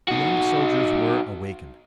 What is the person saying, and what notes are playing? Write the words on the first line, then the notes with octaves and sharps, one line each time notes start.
The young soldiers were awakened.
D#4 F#4